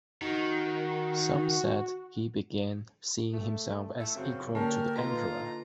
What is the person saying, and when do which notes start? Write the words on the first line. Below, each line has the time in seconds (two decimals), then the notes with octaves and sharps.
Some said he began seeing himself as equal to the emperor.
0.22 D#3 F#4
3.33 A3
3.99 A3 E4
4.16 F#2 C#3 C4
4.55 D3 A#3 C#4 G4 A4 A#4 A5
4.96 D3 D#4 F4 B4 A#5 C6